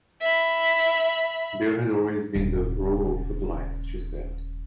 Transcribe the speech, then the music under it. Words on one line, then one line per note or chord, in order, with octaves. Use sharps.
"There had always been the row of footlights," she said.
E5 B5
D#1 C#3